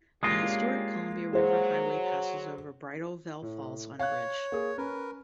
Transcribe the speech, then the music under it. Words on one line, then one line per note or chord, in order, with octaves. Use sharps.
The Historic Columbia River Highway passes over Bridal Veil Falls on a bridge.
G#3 A#3 C#4 D4 F4 G4 D#6 A#6
F#3 G#4 C5
A2
C#5 F5 F#6
A#3 G#4
C#4 A#4 B4